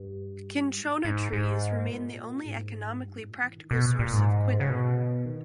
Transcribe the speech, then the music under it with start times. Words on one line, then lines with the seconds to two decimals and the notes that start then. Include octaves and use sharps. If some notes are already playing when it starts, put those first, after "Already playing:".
Cinchona trees remain the only economically practical source of quinine.
Already playing: G2
0.76 G#2
1.05 G#2
1.33 G#2
1.89 A#2
2.45 G#2
3.01 G2
3.15 G#2
3.30 A#2
3.44 E3
3.57 D#3
3.71 B2
3.99 A#2
4.13 G#2
4.60 C#3
4.70 B2
5.25 D#3